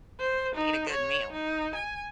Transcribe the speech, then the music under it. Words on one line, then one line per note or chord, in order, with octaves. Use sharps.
eat a good meal.
C5
D#4
C#5
D#4
G#5